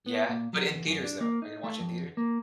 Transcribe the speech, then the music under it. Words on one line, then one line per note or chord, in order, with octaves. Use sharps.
Yeah. But in theaters, though, are you gonna watch in theaters?
B3
A#2
F#3
E2
F#2
D4
A#3
D#4
A3
F2
A#3